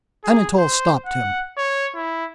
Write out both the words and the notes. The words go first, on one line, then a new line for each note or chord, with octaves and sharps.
Anatole stopped him.
G#4
C5
F#5
C#5
E4